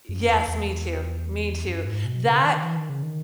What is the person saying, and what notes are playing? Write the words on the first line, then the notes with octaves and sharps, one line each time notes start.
yes, me too, me too. That
F#2
E2
E2
F#2
G#2
B2
C#3
D#3
E3
D#3
C#3
D#3